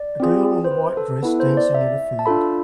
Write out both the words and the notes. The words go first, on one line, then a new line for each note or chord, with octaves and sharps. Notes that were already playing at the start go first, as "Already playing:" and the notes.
A girl in a white dress dancing in a field.
Already playing: D5
C4 F4 G#4
C5
B4
A4
B3 E4 A4 B4
C5
D5
E5
A5
D4 F4 A4 B5